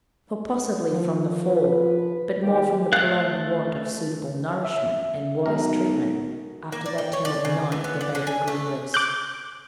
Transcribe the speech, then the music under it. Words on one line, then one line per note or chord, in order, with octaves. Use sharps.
For, possibly from the fall, but more from the prolonged want of suitable nourishment and wise treatment, after that terrible night, the baby grew worse.
F3
B4
D#2 G4
A3 F5 F#6
E5
B1 G#3 D#4 F#4 A#4
A#3
D5
G5
C#5
D5
C#3
E3
B3
D5
D3
G#5
A3
D6 F#6 G6